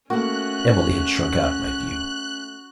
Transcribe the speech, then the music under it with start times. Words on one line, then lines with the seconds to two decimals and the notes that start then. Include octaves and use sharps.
Emily had shrunk out of my view.
0.10 A3 A#3 C#4 F#4 F#6